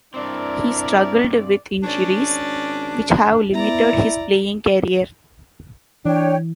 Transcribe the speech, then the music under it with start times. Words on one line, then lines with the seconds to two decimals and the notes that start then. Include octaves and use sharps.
He struggled with injuries, which have limited his playing career.
0.14 G2 A#2 C4 D4 E4 A#4 D5
1.83 G#1 C#4 D4 D5
3.53 B3 E4 D5 A#5
6.05 E3 D4 C#5 G5